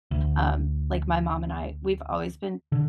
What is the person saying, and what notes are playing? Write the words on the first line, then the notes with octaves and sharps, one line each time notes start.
um, like, my mom and I, we've always been
D2
D3